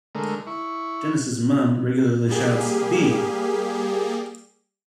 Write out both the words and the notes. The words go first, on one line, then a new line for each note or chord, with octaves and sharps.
Dennis' Mum regularly shouts; Bea!
D3 G#3 A3 A#4
E4 C#6
G3 A#3 G4 G#4